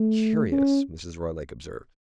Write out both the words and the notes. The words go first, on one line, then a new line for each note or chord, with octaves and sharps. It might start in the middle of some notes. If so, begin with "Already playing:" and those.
"Curious!" Mrs. Roylake observed.
Already playing: A3
C#4